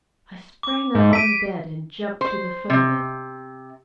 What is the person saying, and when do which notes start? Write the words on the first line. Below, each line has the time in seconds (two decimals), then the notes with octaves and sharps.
I sprang up on the bed and jumped to the foot of it.
0.63 D6
0.95 G#2
1.13 B6 D7 D#7
2.21 C5
2.70 C3